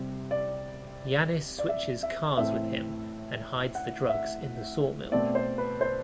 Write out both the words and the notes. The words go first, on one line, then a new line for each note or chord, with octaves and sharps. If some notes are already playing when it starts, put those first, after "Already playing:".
Yanis switches cars with him and hides the drugs in the sawmill.
Already playing: C3 G3 C4
D5
D5
E5
E5
A2 E3 A3 C4 E5
F#5
E5
B2 A3 C4 D5
C5
B4
C5